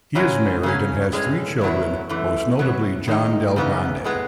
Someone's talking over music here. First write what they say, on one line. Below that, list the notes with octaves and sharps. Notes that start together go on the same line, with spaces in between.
He is married and has three children most notably John Del Grande.
F#2 C#3 F#3 C#4
C#3 F#3 C#4
A2 G#3 C#4
E2 C#3 F#3 B3 E4
F#2 E3 A3
B2 F#3 B3
D#3 G#3 D#4
C#3 E3 B3 D#4
A2 G#3 B3